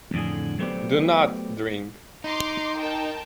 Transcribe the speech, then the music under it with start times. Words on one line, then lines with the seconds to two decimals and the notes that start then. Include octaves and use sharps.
Do not drink.
0.14 F2 A2 D3 G#4
0.59 F#3 A3 B3 G4 C5 D5
2.24 D#4 A#5 C6 D6
2.78 A#4 G5 A5